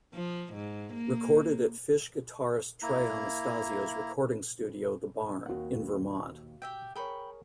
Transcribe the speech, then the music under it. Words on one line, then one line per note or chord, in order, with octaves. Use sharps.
Recorded at Phish guitarist Trey Anastasio's recording studio The Barn, in Vermont.
F3
G#2
A#3
A#3 E4 A#5
D#2 A#3 F#4 F#5
G4 E5 G5
G#4 A#4 C#5 G5 B5 C#6